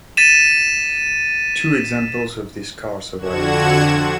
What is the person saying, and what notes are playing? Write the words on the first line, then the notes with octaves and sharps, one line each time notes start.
Two examples of this car survive.
A6 B6 D#7 E7
F2 D3 F#4 F#5 G#6 E7
C4 D4